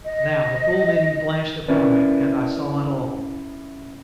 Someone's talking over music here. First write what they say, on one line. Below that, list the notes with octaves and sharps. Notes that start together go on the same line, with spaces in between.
Now the full meaning flashed upon me, and I saw it all.
D#5
C#4 E4 A#4 B4 D5